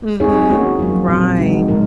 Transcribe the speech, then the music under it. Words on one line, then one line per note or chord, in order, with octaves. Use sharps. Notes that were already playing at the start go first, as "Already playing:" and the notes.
Mhm. Right.
C4 D#4 G#4 C#5
A#3 C#4 F#4 C#5
F#3 A#3 F4
A#2 F#3 C4
C#3 F3 G#3 D#4 F#4
A#2 G#3 D#4 A#4